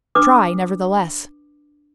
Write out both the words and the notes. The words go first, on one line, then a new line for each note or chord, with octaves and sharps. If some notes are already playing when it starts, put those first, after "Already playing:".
"Try, nevertheless."
D4 B4 D6 D#6